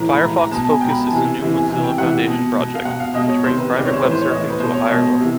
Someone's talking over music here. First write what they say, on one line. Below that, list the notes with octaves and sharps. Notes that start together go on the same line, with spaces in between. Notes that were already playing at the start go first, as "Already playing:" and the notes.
Firefox Focus is a new Mozilla Foundation project, which brings private web surfing to a higher level.
Already playing: A2 E3 A#5
B5
A2 E3 A#5
A#5
B2 A5
G#5
B2 G5
A#5
B5
A5
C3 E3 G#5
C3 E3
G#5
C3 E3 G#5
G5
C3 E3 F#5
B2
B2
F5
B2 F#5
F5
B2 D#5
C#5
C3 D#3 C5
B4
C3 D#3 D5
C#5
C5
A2 E3 B4
C5
C#5
A2 E3 D#5
B4
B2 C5
C#5
B2 D#5
C3 E3